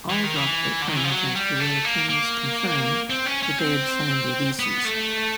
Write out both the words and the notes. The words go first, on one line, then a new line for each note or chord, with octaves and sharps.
All dropped their claims after their attorneys confirmed that they had signed releases.
E3
D#3
E3
D3
D#3
E3
F3
F#3
G3
A3
A#3
A#3
C4
C#4
C#4
C4
B3
A3